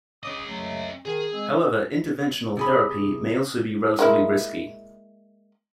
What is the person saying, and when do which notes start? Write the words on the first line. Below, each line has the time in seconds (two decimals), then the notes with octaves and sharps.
However, interventional therapy may also be relatively risky.
0.23 C#4 C#5 D#5 D6 D#6
0.48 F#2 F#3 A3
1.05 D#3 G#4
1.32 G#3 C4
2.57 C3 G#4 B5
3.99 G#3 A#3 E4